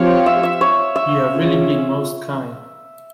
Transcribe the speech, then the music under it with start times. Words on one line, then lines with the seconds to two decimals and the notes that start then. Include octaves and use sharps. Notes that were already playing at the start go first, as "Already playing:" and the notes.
You have really been most kind.
Already playing: F3 C4 G4 C#5 F5
0.26 E5
0.43 E5
0.61 C#5
0.96 E5
1.31 C#4 F4 G#4